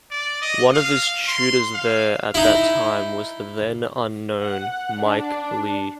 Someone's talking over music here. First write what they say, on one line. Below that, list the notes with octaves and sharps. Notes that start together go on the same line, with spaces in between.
One of his tutors there at that time was the then unknown Mike Leigh.
D5
D#5
F5
C6
F5
D#4 E4
F#5
D4